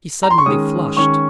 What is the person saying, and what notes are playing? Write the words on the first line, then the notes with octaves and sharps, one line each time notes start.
He suddenly flushed.
A#5
C6
C#6
D#3 G#3 C#4 D#6
D#3 G#3 C#4 C#6